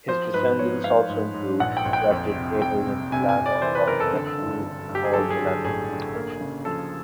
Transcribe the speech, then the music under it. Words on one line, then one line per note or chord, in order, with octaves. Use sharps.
His descendants also include Frederic Adrian Delano, Robert Redfield and Paul Delano.
F3 C5
G#2 B4
F3 C#5
G#2 F5
G#2
G#2
A#1 F#5
G5
A#1
G5
F2
C3
F2 G5
C3
C3 G#5
G#5
C3
D5
E3 C5
B4
F#1 A#4
A4
D3
G2
D3
G2
G4
G#4
F#3 A4
G#4
D3
G#4
A1 G#4
D3
A#3
C#3
F3 A4